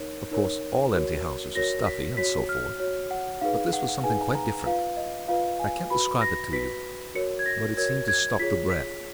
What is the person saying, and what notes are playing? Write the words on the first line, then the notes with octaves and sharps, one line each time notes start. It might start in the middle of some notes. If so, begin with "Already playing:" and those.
Of course all empty houses are stuffy, and so forth, but this was something quite different; I can't describe it to you, but it seemed to stop the breath.
Already playing: D#4 A#4 C#5
D#4 A#4 C#5
F#4 A#4 C#5
F#4 A#4 C#5 A#6
B6
F#4 C#5 B6
F6
F#4 C#5
F#5
D#4 G#4 B4 F5
F#5
D#4 G#4 B4 G#5
A#5
F4 B4 F5
D#5
F4 B4 F5
G#5
F#4 B4 B5
A#6
F#4 B4 B6
F#4 A#4 C#5 C#7
G#6
A#6
F#4 A#4 C#5 G#6
G#6
F4 G#4 C#5 B6
B6